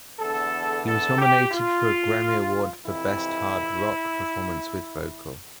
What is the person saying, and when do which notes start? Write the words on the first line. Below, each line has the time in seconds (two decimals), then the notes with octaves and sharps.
It was nominated for a Grammy Award for Best Hard Rock Performance with Vocal.
0.20 E2 D3 A4
0.85 A4
1.19 G4
1.52 F4
2.84 F2 C3 E3 E4